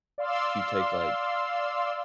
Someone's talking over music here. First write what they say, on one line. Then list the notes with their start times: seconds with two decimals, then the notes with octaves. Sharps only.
if you take, like
0.18 D5 F5 C6 E6